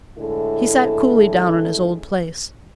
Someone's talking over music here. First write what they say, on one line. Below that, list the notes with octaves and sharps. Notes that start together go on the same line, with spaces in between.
He sat coolly down in his old place.
A2 D3 G#3 E4 A4